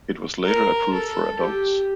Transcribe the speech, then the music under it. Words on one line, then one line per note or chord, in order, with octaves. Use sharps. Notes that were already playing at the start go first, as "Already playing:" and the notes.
It was later approved for adults.
A#4
A4
G4